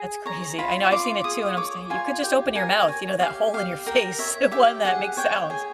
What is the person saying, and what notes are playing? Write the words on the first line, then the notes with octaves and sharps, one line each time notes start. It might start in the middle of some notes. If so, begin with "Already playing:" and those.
That's crazy, I know, I've seen it too, and I would say, "You could just open your mouth, you know? That hole in your face, the one that makes sounds."
Already playing: G#4
C#5 A#5
F4 B5
F4 D6
G#4 D#6
C#5 D6
F4 G#5
G4 G5
A#4 G#5
C#5 G#5
G4 F5
G4 F5
A#4 G5
C#5 E5
G4 E5
G#4 F#5
C#5 G5
G#4 G#5